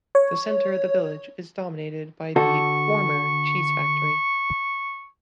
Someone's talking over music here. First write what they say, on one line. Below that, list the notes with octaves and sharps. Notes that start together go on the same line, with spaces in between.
The centre of the village is dominated by the former cheese factory.
C#5
D3 F#4 A4 C#6